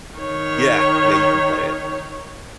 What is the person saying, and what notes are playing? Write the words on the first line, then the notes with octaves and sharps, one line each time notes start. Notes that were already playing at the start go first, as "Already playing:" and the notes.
Yeah, yeah, you can play it.
D#3 C#5